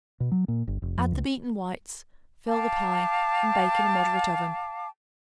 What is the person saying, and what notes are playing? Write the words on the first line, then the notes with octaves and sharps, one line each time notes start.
Add the beaten whites; fill the pie and bake in a moderate oven.
B2
F#3
A#2
G1
F1
F2
C#2
F5 G5 A5 D6